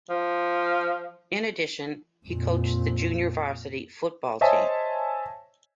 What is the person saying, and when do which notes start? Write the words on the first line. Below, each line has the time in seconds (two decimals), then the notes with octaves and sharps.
In addition, he coached the junior varsity football team.
0.10 F3
2.27 F2 A#2
4.41 C5 C#5 D#5 E5 G#5 A5